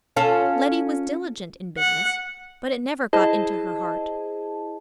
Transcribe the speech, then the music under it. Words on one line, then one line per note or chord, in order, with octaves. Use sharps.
Letty was diligent in business, but it never got into her heart.
C#4 F4 A4
F#5
E4 G#4 C5 D#5 A5